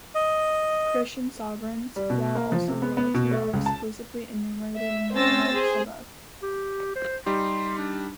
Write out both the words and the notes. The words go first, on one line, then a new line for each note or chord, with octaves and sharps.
Christian sovereigns, while also "royalty", are exclusively enumerated in "Monarchs" above.
D#5
G3
B2
A#3
F3
C3
B3
B3
B2
A3
C#2
A5
E5
C4 C#4 C5 E6 A6 A#6
G#4 C5
G4
C5
G3 D#4 G4 C6
D4